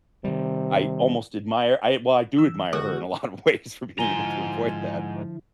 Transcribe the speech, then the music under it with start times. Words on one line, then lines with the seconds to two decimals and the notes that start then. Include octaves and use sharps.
I almost admire I well, I do admire her in a lot of ways for being able to avoid that, but
0.24 C3 D#3 G3
2.38 E3 E6
2.73 D3 G#3 F#4 A4
3.99 G#2 D3 F3 E4 G#5 A#5 D#7 G7